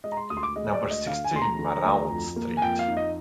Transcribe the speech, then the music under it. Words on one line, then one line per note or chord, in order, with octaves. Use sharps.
Number sixteen, Marrault street.
G#3 D#5
A#5
C6
D2 D#6
C6
D6
G#3 D#5
D#5
D5
D2
D#5
D3 F5
G#5
D2 C6
A#5
D3
D2
F2
A#3
G#5
F2 G5
F5
D#4
D#5